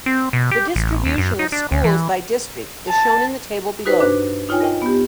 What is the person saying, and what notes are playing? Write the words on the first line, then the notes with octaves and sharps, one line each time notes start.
The distribution of schools by district is shown in the table below.
C4
B2
G4
A1
D#2
F#2
D#4
D4
D2
E3
A5
D#4 F#4 B4 C5
G2 D4 B4 F#6
D#4 F4 C#5 G5 G#5
A#4 D#5 G5
B3 G4